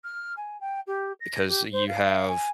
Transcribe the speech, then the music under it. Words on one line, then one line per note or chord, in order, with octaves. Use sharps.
because you have
F6
G#5
G5
G4
A#6
G4
C5
F5
G#5